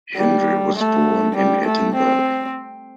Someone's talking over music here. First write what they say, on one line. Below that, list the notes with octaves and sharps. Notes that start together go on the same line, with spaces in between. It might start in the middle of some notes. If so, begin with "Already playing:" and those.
Hendry was born in Edinburgh.
G3
A3
G3
A3
C4